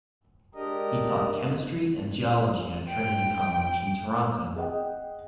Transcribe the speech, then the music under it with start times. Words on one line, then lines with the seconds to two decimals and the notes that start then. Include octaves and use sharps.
He taught chemistry and geology at Trinity College in Toronto.
0.55 G#3 D4 G4 A#4 D#5
2.87 G5 D7
4.56 G#4 D#5 F#5 G5